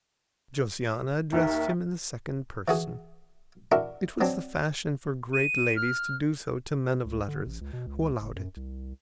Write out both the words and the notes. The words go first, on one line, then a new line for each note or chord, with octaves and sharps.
Josiana addressed him in the second person; it was the fashion for great ladies to do so to men of letters, who allowed it.
D#2 D#4 A#4 E5
E3 F#4 G#4
D4 E4 F#4 A#4
F#3 C4 D4
D#7
F6
C#2
D3
A1
C#2
B2
C#2
F#1
F#2
C2